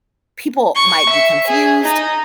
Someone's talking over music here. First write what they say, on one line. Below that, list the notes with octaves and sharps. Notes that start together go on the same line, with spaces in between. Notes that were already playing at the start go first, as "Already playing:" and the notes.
people might be confused
C#6
E5
G#4
D#4